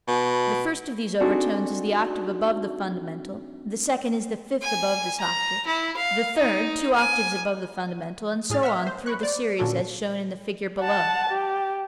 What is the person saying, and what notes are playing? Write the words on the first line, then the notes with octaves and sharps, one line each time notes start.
The first of these overtones is the octave above the fundamental; the second is the fifth above this octave; the third, two octaves above the fundamental, and so on through the series as shown in the figure below.
B2
C4 D4 D#4 F#4 G#4 A4
G#5
A#5
E4
F5
D#4
G#5
A2 G#4 F6 A6
E5 F#5 F6 B6
C5
B5 C#6 F#6
C5 D5
A#2 D3 C#4 F#4 A4
F#5 A5
G4